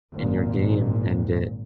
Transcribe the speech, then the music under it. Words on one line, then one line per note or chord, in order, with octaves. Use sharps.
in your game, and it
G#1 A#2